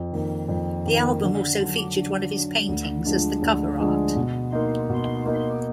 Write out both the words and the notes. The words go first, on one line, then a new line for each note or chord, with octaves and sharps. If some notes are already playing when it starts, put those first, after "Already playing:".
The album also featured one of his paintings as the cover art.
Already playing: F2
D#3 A#3
F2
D#3 A#3
D3
F#3 D4
D3
F#3 D4
D2
D3 F3 G#3 D4
D2
D3 F3 G#3 D4
B2
A#3 D#4
B2
A#3 D#4